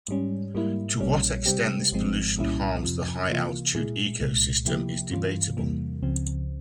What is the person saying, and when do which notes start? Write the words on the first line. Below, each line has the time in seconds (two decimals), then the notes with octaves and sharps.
To what extent this pollution harms the high-altitude ecosystem is debatable.
0.08 G#2 G3 C#4
0.55 G#2 G3 A#3 E4
1.00 A#1 A#2 G3 C#4
1.46 C3 G3 C4 G4
1.92 G#1 G#2 F3 G#3 C4
2.37 C2 A#2 G3 C#4 E4
2.83 F2 C3 F3
3.29 C3 E3 A#3 F4
3.75 A#2 G#3 E4 G#4
4.20 C2 A#2 G#3
4.65 C3 F3 A#3 E4 G4
5.11 G2 E3 G3 C#4 F4
5.57 E2 C3 E3 G3 A#3
6.03 C#2 C#3 F3 C4